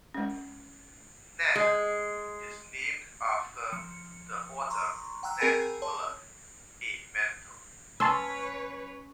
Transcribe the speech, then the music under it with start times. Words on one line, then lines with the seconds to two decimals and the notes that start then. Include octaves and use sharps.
"Nedd" is named after the author Nedd Willard, a mentor.
0.14 G#3 C#4
1.56 G#3
3.72 F3 C#7
4.70 A#5 C6 C#6
5.23 F#5 G5 A#5 E6 F#6
5.40 C4 G#4 A#4 G5 G#5 B5
5.82 C#5 A5 C6
8.00 C#4 B4 C#5 A5 C6 E6